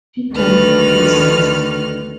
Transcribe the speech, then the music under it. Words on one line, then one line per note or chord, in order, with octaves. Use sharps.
He died four days later.
D2 D3 D#3 A3 B4 F6